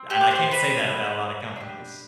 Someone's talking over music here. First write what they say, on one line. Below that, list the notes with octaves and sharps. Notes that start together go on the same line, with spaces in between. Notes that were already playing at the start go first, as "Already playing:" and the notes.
And, I can't say that about a lotta companies.
Already playing: C4
G4 G5
D6
C5 C6
B4 B5
D4 G4